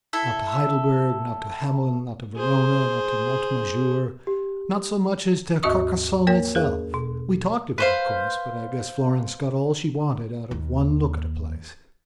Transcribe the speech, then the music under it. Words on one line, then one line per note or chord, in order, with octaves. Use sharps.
Not to Heidelberg, not to Hamelin, not to Verona, not to Mont Majour--not so much as to Carcassonne itself. We talked of it, of course, but I guess Florence got all she wanted out of one look at a place.
E4 A4 E5
G#4 C5
G4
D#2 G#2 F#4 D#5 C#6 D#6
A#3 A#4 C#5 G5
E2 G#4 A#4
B2
B4 C5 F5
D#2